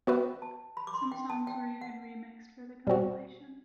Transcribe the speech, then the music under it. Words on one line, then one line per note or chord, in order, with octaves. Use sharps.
Some songs were even re-mixed for the compilation.
B3 F#4 B4 E5 G5
A5
B5
D6
C6
G5
A5
G5
F#5
B2 G3 C4 F#4